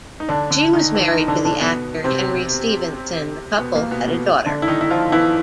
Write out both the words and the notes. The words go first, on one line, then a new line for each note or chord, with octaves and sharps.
She was married to the actor Henry Stephenson; the couple had a daughter.
D#4
D3 D4
D3 D4
D#3 D#4
E3 E4
D#3 D#4
D3 D4
D3 D4
B2 B3
C3 C4
B2 B3
A#3
B2 B3
B2 B3
D3 D4
E4
D#3 D#4
E4
F3 F4
E3 E4